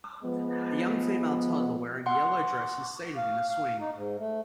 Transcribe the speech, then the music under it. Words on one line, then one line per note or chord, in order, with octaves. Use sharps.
A young female toddler wearing a yellow dress is seated in a swing.
F3 G#3 B3
F#5 C6
F5
F5
D#4
G#2
A3